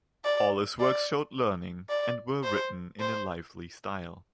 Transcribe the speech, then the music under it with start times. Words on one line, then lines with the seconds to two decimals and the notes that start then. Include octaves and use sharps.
All his works showed learning, and were written in a lively style.
0.25 D5
0.80 D5
1.89 D5
2.44 C5
3.00 C5